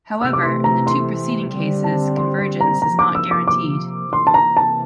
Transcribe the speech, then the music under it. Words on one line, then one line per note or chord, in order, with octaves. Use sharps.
However, in the two preceding cases, convergence is not guaranteed.
C3 E3 A3 E6
D6
C6
A#5
C6
D3 G3 C4
A5
C6
C6
A#5
C3 F3 A#3 A#5
D6
E6
D6
D6
C3 E3 A#3 C6
A5
A#5
A5